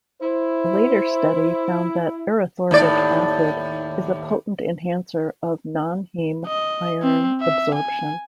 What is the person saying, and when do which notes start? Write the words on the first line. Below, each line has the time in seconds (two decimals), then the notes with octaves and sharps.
A later study found that erythorbic acid is a potent enhancer of nonheme-iron absorption.
0.22 E4 C5
2.71 D#2 A2 D5
6.47 D#5
7.02 C4
7.41 E5
7.74 G#5